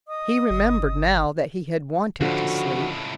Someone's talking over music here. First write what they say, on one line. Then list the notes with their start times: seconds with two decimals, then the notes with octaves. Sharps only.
He remembered now that he had wanted to sleep.
0.08 D#5 D#6
0.50 G1
2.21 C#2 A2 D3 F3 F#4